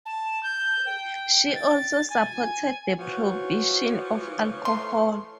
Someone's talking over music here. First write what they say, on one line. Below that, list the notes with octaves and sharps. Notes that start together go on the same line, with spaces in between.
She also supported the prohibition of alcohol.
A5
G6
G5
A6
G#5
E3 F3 F#4 C#5
A3 C6